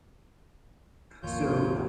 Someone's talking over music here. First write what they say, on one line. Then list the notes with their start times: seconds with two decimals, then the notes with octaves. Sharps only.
so I
1.23 G#1 D#2 F3 A#3 F4 C#5 G6